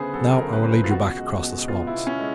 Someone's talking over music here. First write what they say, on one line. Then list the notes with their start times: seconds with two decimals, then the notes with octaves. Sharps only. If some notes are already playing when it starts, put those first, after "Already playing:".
Now I will lead you back across the swamps.
Already playing: D2 C#3 B3 G#4 B4 C5
0.13 F#3 A4
0.33 A#4
0.39 D2
0.53 B4
0.63 C#3 C5
0.71 B4
0.84 F4
0.91 B2 F#4
1.17 G#3
1.42 B2
1.68 B3 F4
1.87 E4
1.94 B2
2.07 C#4
2.20 G#3